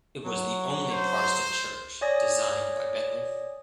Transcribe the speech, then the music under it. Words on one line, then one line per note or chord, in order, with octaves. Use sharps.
It was the only Protestant church designed by Bentley.
F#3
C5
C#5 D5 G#5 D#6 A#6